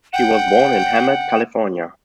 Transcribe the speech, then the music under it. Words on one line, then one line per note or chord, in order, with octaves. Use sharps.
She was born in Hemet, California.
F#5 G5